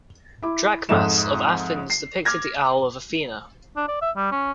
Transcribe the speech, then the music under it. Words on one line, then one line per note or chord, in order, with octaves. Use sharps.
Drachmas of Athens depicted the owl of Athena.
E4 D6
F2 G#2 A4 D#5 E5 E7
C7
D6 F6 G#6 A#6
D4
D5
E5
G3
C#4